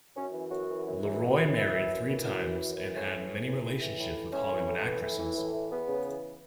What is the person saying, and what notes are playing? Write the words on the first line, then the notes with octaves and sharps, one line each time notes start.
LeRoy married three times and had many relationships with Hollywood actresses.
F#2 C#4
E3
F#2 F#4
E3
F#2
E3
F#2
E3
F#2 E4
E3
F#2
E3
F#2
E3
F#2
E3
A2 C#4
E3
A2
E3
A2
E3
A2
E3
A2 C#4
E3
A2
E3
A2
E3
A2
E3
E2 B3
C#3
E3